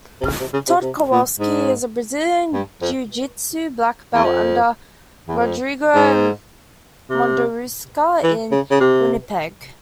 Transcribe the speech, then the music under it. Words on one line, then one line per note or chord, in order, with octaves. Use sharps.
Todd Kowalski is a Brazilian jiu-jitsu black belt under Rodrigo Mundaruca in Winnipeg.
C3
C#3
C3
C#3
C3
C3
A#2
G#2
G2
F2
E2
F2
E2
F2
G#2
C3
E3
C#3
C#3
C3